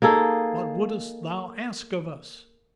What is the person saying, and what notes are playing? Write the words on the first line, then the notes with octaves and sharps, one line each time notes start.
'What wouldst thou ask of us?
A#3 D#4 G#4 A4